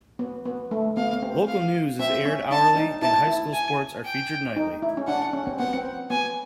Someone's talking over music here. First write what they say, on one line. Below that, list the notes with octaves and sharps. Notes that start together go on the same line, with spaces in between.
Local News is aired hourly and High School Sports are featured nightly.
B3
B3
A3
B3 F5
B3
C4
F5
C4 E5
C#4
D4 A5
D#4
E4 A5
E4
G#5
G5
D#4
E4
C#4
D4 F#5
C#4
C4
B3 F#5
C4
B3 G#5